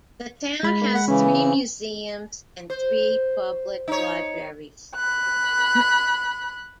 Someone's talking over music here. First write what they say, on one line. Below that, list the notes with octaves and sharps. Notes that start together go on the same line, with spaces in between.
The town has three museums and three public libraries.
G#3 B5
A#3
F#5
C#3 E3 C#4
C5
D#4 C#5
B5 F#6